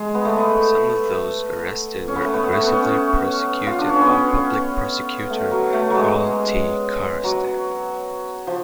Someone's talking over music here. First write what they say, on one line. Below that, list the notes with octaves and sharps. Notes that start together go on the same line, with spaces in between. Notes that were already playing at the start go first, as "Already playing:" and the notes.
Some of those arrested were aggressively prosecuted by public prosecutor Karl T. Chrastan.
Already playing: G#3
B3
A3
B3
C#4
B3
A3
B3
A3
B3
C#4
F4
D4
C#4
B3
A3
F#3
A3
F#3 G#3
F#3
F3